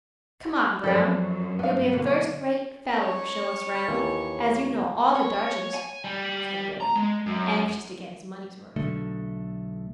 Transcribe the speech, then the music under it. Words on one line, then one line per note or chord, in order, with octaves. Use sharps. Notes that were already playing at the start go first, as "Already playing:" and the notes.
"Come on, Brown; you'll be a first-rate fellow to show us round, as you know all the dodges," said Billy, anxious to get his money's worth.
F#2 F3 F#3 A4 D5
G2 B3 F5
B2 D3 A#3
C#4 C#5
D#2 E3
C#5
G#5
G3
A#5
G#3
F#2
B1 D3 A3